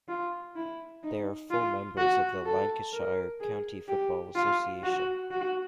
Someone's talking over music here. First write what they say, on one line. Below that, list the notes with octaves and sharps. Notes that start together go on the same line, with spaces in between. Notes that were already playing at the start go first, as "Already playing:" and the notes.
They are full members of the Lancashire County Football Association.
F4
E4
D#4
F4
F#4
A4
A#4
G#4
G4
F4
F#4
F#4